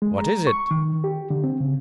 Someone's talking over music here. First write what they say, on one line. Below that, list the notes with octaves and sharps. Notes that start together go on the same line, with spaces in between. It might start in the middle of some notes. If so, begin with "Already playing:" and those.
"What is it?"
G#3
A#5
C#6
D#3
G4
D3
C4
C#3